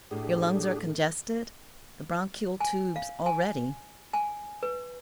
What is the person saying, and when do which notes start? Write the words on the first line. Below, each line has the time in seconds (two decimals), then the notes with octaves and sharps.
Your lungs are congested, the bronchial tubes already.
0.11 A2 D4 G4 G#4
2.60 G#5
2.96 F5
3.26 G#5
4.13 G#5
4.63 B4